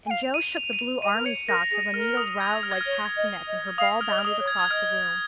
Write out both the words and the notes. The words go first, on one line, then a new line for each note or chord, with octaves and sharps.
And Jo shook the blue army sock till the needles rattled like castanets, and her ball bounded across the room.
G#5
F5 F7
D#7
F7
D#7
F7
D#5 D#7
A#4
C#5 C#7
A#4 A#6
G#4 A#6
A#4 F6
D#6
G#6
F6
G#6
F6
C#5
D#5
D#5
F5 D#6
F6
D#5
F6
D#5 D#6
C#5
G#6
G#6
D#5 F6